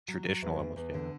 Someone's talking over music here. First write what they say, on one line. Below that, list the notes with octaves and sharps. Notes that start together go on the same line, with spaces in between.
traditional, almost, yeah.
F#3
F#3
E2
E2
E2
D3